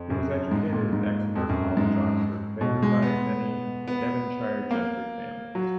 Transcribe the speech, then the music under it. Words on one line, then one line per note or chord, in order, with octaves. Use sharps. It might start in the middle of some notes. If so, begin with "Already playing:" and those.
He was educated at Exeter College, Oxford, favoured by many Devonshire gentry families.
Already playing: F2
F#2
G#2
A#2
G#2
F2
F#2
G#2
B2
G#3
B3
B3
A#3
F#3